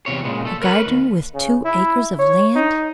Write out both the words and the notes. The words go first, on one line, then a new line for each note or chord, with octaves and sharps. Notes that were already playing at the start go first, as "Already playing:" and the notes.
"A garden with two acres of land!"
E2 G2 C3 C#5
A#2 C#3 G#3
A3 A4
A#4 B4 C#5 B5
D#2
C#3
E4
C#5
D#4